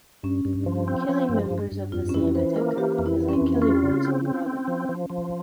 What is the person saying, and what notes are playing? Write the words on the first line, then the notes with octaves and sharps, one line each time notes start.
Killing members of the same Ateker is like killing one's own brother.
G2 C#4
G2
F3
C4
F3
G2
G2
G2
F2 F4
C#4
E3 E4
E3 C5
A#3 A#4
E3 G4
F2
E4
E3
C#4
C4
F2
C#4 F4
C#3
C4
C4
C4
F3
F3
F3